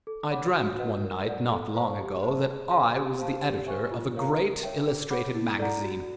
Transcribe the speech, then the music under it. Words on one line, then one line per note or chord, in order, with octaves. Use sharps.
I DREAMT one night not long ago that I was the editor of a great illustrated magazine.
A4
C#5 F#5 B5 D6
F#4
B4 D#5 F#5
A#4
D5 F#5
A4
C5 F5 A5 C#6
G4
C5 E5 A5
G#4
C#5 F5 G#5
G4
C5 F5 A5
G4
C5 E5 G#5 C#6
F4
A#4 C#5 F5 A#5
A#4
C#5 E5 G5
A4
C#5 F#5 B5 D6
E4
A4 D5 F#5 A#5
F#4